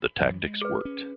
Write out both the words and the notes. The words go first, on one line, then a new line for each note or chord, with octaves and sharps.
The tactics worked.
F#2 E3 F#3
G#3
G#4 B4
C#4